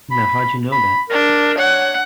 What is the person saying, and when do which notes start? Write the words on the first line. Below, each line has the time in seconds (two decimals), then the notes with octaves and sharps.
Now how'd you know that?
0.11 B5
0.72 B5
1.10 D4 A#4
1.58 C#5 F#5